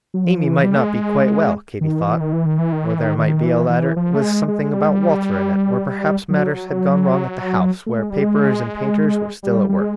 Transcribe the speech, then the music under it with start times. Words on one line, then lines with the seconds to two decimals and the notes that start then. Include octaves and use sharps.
Amy might not be quite well, Katy thought, or there might be a letter with something about Walter in it, or perhaps matters had gone wrong at the house, where paperers and painters were still at work.
0.14 F#3
0.25 F3
0.44 E3
0.64 G3
0.75 A3
0.83 G#3
1.81 D#3
2.00 E3
2.20 D#3
2.33 E3
2.46 D#3
2.59 E3
2.72 D#3
2.85 E3
2.99 D#3
3.18 D#3
3.44 E3
3.69 E3
3.96 F3
4.15 A3
4.22 G#3
4.48 G#3
4.73 G3
4.81 G#3
4.89 G3
6.30 F#3
7.86 A3
7.98 G#3
8.10 G3
8.23 G#3
9.43 G3
9.69 G3
9.81 G#3